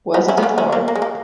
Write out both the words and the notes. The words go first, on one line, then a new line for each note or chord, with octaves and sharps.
Wasn't it hard?
B3 D#4
C#4 E4
B3
A#3 C#4
C#4 E4
A#3 C#4
A#3
G#3
A#3